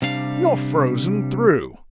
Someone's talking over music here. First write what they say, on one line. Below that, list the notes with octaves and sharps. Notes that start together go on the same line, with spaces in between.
You're frozen through!
C3 G3 D4 F5